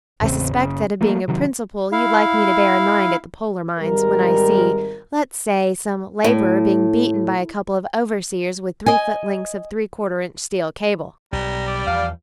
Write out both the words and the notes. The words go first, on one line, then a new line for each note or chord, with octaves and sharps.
"I suspect that of being a principle you'd like me to bear in mind at the polar mines, when I see, let's say, some laborer being beaten by a couple of overseers with three foot lengths of three-quarter-inch steel cable."
A1 E2 C#3 C4
F#1 C#3
F3 A3 A#3
C3 D#3 F#3
E4 F5
G#1 G3 G#3 A#4
A2
D#5 G#5
B1 G3 A#5
D5
E2 F3 F5